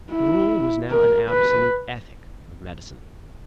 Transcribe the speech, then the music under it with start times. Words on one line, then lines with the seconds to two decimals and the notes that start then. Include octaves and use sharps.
The rule was now an absolute ethic of medicine.
0.11 E4
0.90 A#4
1.30 B4